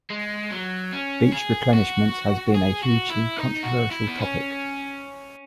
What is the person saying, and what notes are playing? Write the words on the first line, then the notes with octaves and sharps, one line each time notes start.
Beach replenishment has been a hugely controversial topic.
G#3
F#3
C#4
G#4
F#4
G#4
F#4
E4
D#4
F#4
E4
B3
C#4